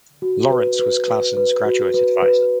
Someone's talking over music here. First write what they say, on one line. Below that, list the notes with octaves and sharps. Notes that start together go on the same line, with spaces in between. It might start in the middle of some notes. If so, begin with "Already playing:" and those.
Lawrence was Claussen’s graduate advisor.
F#4
B4
B4
B4
B4
F#4
B4
B4